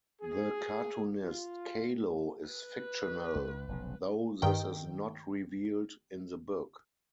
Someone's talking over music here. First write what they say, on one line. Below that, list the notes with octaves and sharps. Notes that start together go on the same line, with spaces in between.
The cartoonist Kalo is fictional, though this is not revealed in the book.
G#4
F4
B4
C#2
F1 B1 C#3
G2 D#3 G5